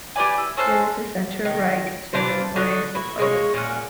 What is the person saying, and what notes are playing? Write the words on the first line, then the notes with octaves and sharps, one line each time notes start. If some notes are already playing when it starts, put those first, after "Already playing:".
It is a centre-right, Conservative-oriented, party.
G4 B4 D5 G#5
E4
C#4 A4 C5 F#6
D#3
E3 D4 F4 C5
D3 D#4 F#4
E4 F#4
G#3 A#3 C#5
A#2 C#4 D4 F#5